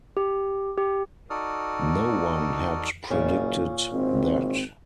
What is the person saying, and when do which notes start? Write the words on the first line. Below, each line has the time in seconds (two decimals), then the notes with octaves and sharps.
No one had predicted that.
0.17 G4
0.78 G4
1.30 D#4 F#4 A4 D5 D#6 F6
3.10 F#1 A#2 C#4
3.92 G#1 C4